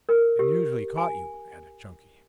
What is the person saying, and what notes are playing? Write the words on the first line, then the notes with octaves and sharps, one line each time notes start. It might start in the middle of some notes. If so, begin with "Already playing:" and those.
"And usually caught you," added Chunky.
A#4
G4
G#5